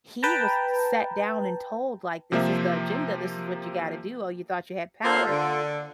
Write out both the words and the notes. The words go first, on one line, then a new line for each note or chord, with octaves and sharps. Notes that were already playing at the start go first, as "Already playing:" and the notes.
he was sat down and told, like, this is the agenda. This is what you gotta do. Oh, you thought you had power.
B4 G5 A5 A#5
C3 F3 A#3 C5 E5
A#3 F4 A4 C5
D3